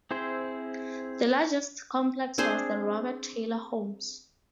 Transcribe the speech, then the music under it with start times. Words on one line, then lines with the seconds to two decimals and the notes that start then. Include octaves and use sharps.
The largest complex was the Robert Taylor Homes.
0.11 C4 E4 G#4 C5
2.38 C4 D4 G#4 C5